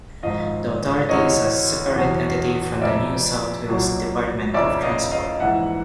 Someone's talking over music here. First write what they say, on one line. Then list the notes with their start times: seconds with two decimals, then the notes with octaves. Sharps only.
The authority is a separate entity from the New South Wales Department of Transport.
0.23 G#1 G#2 F3 D#5 F5
1.09 D2 C3 E3 C#5 D#5
1.96 E2 B2 F#3
2.81 F1 F2 C3 D5 E5
3.68 B1 A#2 F#3
4.54 F1 F2 C#3 D5 E5
4.83 D#5 F5
5.11 D#5 F5
5.40 A#1 G#2 E3 E5 F#5